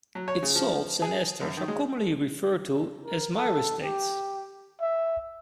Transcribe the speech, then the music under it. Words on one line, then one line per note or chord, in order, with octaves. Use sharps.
Its salts and esters are commonly referred to as myristates.
F#3
C#5
C#3
F3
F3
G#4
F#2
D#3
G#3
A#4
A4
G4
E5